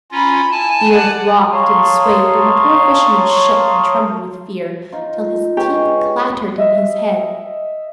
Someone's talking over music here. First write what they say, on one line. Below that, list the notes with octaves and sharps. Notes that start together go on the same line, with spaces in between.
The earth rocked and swayed, and the poor fisherman shook and trembled with fear till his teeth clattered in his head.
C#4 F4 A#5 B5
E4 G#5 A5
D5 F#5
C#5 F5 A5 A#5 C6 D#6
D#4 F4
G#3 B3 G4 C#5
D#5 E5